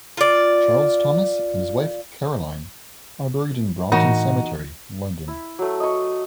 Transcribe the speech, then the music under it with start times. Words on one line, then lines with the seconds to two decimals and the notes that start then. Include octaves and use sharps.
Charles Thomas and his wife Caroline are buried in Brompton Cemetery, London.
0.17 F4 D5
3.92 A2 E3 D#4 F#4
5.28 E4
5.59 F#3 A3
5.80 D#5 C#6